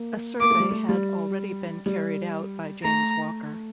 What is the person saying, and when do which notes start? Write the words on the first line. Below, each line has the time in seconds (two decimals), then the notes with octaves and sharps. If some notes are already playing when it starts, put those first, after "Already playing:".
A survey had already been carried out by James Walker.
Already playing: A#3
0.40 A#3 D6
0.51 A3
0.60 G3
0.71 A3
0.89 G3
1.86 G3
2.84 A3 A#5